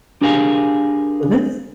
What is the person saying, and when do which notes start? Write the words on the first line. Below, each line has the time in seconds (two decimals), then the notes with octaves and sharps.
So that's t
0.21 D4 G4 G#4 A#4 F5 G#5